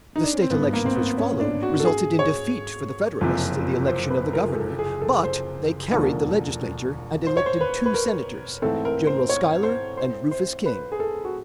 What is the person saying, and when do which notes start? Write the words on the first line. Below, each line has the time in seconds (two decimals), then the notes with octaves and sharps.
The state elections which followed resulted in defeat for the Federalists in the election of the governor, but they carried the legislature and elected two senators,--General Schuyler and Rufus King.
0.16 D#4
0.24 D4
0.33 C#4
0.42 C4
0.50 G#1 G2 D#3 B3
0.73 A#3
0.86 C4
0.95 B3
1.18 C#4
1.40 D4
1.63 F#4
1.80 A4
1.85 G#4
2.19 C#5
3.21 F#1 F2 C3 F3
3.88 C5
4.10 B4
4.33 A#4
4.48 G#4
4.56 A4
4.78 G#4
5.02 A4
5.24 C5
5.92 E1 D#2 D3 F3 A#3
7.27 C5
7.37 C#5
7.46 C5
7.61 B4
7.86 B4
7.94 A#4
8.62 G#2 E3 A3 C4 A4
8.85 A#4
9.07 C5
9.29 C#5
9.63 C5
9.97 C5
10.31 C5
10.66 B4
10.92 G#4
11.00 A4
11.25 F#4